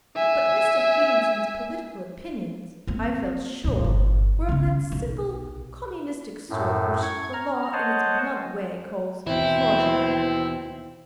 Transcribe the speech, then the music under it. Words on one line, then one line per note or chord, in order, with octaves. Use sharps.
But Mr. Higginson's political opinions, I felt sure, were of that simple communistic sort which the law in its blunt way calls fraudulent.
E5 G#5
A#3 C4
F2 A#2
G1
C#3 C#4
B1
F#2 A2
C#6 G#6
A#5 F6
C5 C#5 D#5 F#5 A5
D#2 B2 E3 C4 E4